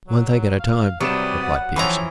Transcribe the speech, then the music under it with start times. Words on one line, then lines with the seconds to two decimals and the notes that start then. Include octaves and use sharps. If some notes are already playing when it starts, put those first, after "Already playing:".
"One thing at a time," replied Peterson.
0.08 F#3
0.59 F5
1.00 C3 F#3 G3 G4 B4 D5 D#6 E7
1.42 F#5
1.76 E3 F3 A4 C#5 G5 A#5 B5 C#6